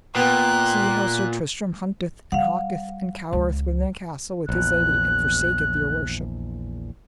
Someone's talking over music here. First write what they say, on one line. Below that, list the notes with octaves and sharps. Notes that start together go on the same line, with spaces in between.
See how Sir Tristram hunteth, and hawketh, and cowereth within a castle with his lady, and forsaketh your worship.
A#2 B3 B4 G5 F#6
G3 F5 F#5
C#2
A#1 E2 F#6